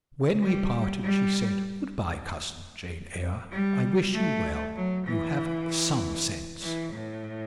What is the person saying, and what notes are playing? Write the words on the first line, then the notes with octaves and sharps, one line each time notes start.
When we parted, she said: "Good-bye, cousin Jane Eyre; I wish you well: you have some sense."
G3
G3
G3
A3
F#3
E3
E3
A2